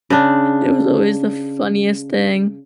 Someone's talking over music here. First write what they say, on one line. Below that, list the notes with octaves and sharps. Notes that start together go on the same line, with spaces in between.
It was always the funniest thing.
C#3 D4